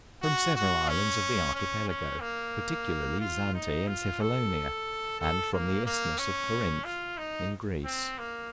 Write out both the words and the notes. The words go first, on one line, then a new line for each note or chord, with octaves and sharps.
From several islands of the Archipelago, particularly Zante and Cephalonia; and from the Isthmus of Corinth, in Greece.
F#4
F#4
C#4
C#4
C#4
A#3
F4
D#4
F4
A4
A4
A#3
A#3
C#4
F4
D#4
C4
A#3